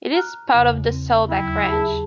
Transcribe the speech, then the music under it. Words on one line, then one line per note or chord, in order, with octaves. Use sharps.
It is part of the Sawback Range.
A#5 F6 F#6
E2 C#3
C4
D#2 F#3 E4 G5
G4 G#4 A5